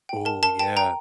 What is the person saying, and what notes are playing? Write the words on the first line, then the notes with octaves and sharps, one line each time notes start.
Ooh, yeah.
G5
A#4 A5
A#4 A5
G5 A5
G5 A#5